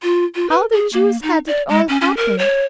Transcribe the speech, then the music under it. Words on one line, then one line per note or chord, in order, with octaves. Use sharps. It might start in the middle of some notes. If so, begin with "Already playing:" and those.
How the juice had it all happened?
F4
F4
B4
G#4
A#3
D#4
D5
G#3
C#4
C#4
A#4
C#5